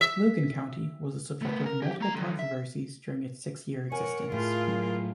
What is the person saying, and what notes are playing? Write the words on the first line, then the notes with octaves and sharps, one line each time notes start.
Logan County was the subject of multiple controversies during its six-year existence.
E5
A3 B3
A#4
G4 G#4
A3 A#5
D3 F#3
E5
A#4 C#5 F#5 G#5
A2 F4 G#4
F#3 D4